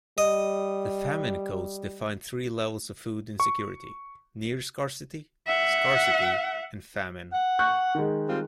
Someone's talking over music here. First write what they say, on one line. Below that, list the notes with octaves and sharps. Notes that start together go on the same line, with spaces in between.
The Famine Codes defined three levels of food insecurity: near-scarcity, scarcity, and famine.
G3 D#5
C#6
E5 F#5
F#5
C#6 F#6 G6
D#3 G#3
G3 C4 F4